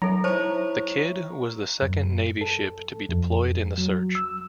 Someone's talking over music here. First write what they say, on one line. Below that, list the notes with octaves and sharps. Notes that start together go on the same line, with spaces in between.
The "Kidd" was the second Navy ship to be deployed in the search.
F#3 D#4 A4 A#5
E4 C5 C#5 A5
F#2
A4
F2
F#3
E6